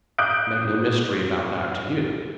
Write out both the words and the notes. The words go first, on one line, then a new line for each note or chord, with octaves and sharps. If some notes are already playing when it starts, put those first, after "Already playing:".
I make no mystery about that to you.
D6 D#6 F#6 G6 D7